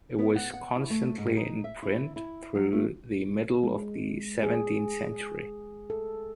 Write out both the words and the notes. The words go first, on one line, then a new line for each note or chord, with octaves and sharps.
It was constantly in print through the middle of the seventeenth century.
B3
F#5
F#5
E4
A3
G#2
D#4
E5
E4
E4
F#3
A3
G#3
G#4
A4